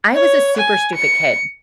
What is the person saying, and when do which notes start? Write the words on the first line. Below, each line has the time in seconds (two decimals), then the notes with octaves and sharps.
I was a super stupid kid,
0.14 C#5
0.57 G#5
0.95 C#7